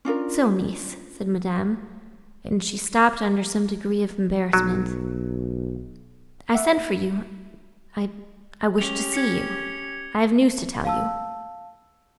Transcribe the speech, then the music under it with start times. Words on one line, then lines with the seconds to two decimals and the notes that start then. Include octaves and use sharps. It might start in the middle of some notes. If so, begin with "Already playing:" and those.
'So, niece!'--said Madame, and she stopped under some degree of embarrassment.--'I sent for you--I--I wished to see you; I have news to tell you.
0.05 C#4 D4 F4 A#4
4.53 B1 F#3
6.54 E5 F#5
8.78 C#4 G4 F7 G7
9.14 G#6 C#7
10.85 F5 A5 E6